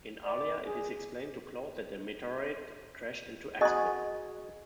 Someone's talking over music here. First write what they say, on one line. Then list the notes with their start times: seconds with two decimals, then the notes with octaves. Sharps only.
In Arlia, it is explained to Claude that a meteorite crashed into Expel.
0.24 D5
0.66 G#4
3.61 F#4 G#4 D#5 C6